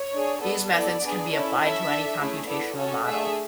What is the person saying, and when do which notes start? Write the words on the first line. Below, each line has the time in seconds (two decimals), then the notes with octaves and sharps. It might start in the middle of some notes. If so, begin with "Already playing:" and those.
These methods can be applied to any computational model.
Already playing: C#5
0.13 D4 G#4
0.42 B3 D4 A4
0.72 B3 E4 A4 D5
1.01 B3 D4 G#4
1.31 C#4 E4 A4
1.59 C#4 E4 A4 E5
1.89 D4 A4
2.19 A3 C#4 E4 G#4
2.47 B3 E4 A4 D5
2.77 C#4 F#4 A4 C#5
3.06 A3 D4 G#4 E5